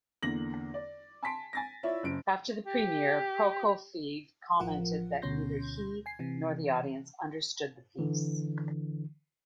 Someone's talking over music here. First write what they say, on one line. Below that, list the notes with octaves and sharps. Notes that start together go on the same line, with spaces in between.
After the premiere, Prokofiev commented that neither he nor the audience understood the piece.
E2 D3 A#3 A#6 F#7
D5
G#5 A5 C6 B6 D7
G#5 A6 A#6
E4 F4 C#5 D5 E5
F#1 C#4 D7
G4
A1 F3 F4 A#4 F#5
D2 B2 C#4 C6 G6 A#6
G#5 C7
C3 E3
D3 E3